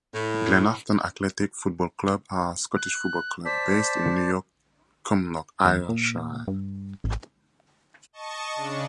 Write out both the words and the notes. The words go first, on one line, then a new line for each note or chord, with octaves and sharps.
Glenafton Athletic Football Club are a Scottish football club, based in New Cumnock, Ayrshire.
A2
F#6
C5 D5 A5 B6
E2
A#2
G2
A1
D#5 A5 C#6
C#3 D4